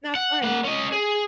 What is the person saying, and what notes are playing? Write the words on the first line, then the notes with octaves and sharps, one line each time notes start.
Not fun.
F#5
A#3 F#5
C#4 D#5
G#4